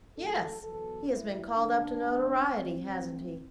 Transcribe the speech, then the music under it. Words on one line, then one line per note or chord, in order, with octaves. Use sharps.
'Yes; he has been called up to notoriety, hasn't he?
A1 A2 F#3 A3 A4
E2 B2 F#3 B3 A4
G2 E3 A3 E4
F#1 F#2 D3 D4
E2 D3 A3
G2 F#3 A3 C4
G2 E3 A3